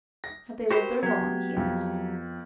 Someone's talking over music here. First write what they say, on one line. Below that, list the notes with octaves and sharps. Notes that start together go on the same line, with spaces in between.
"Have they lived there long?" he asked.
A#6
F#4 G4 A#4 C5 B5
F#3 B3 G4 G#6
F2